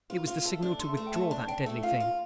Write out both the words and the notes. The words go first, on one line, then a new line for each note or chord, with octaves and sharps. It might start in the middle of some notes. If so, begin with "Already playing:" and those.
It was the signal to withdraw that deadly thing.
F4
F4
A3
D4
A3 C6
A3
G5
A3 A5
D4
D4 G5
A3
F4 F5
F4